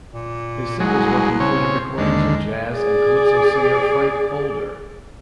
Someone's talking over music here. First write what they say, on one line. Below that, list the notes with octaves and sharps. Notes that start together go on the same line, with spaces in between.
His singles work included recordings with jazz and calypso singer Frank Holder.
A#2
C2 F#3 G#3
C#3 C4 C#5
D#2 D3 G#3
G#4 D5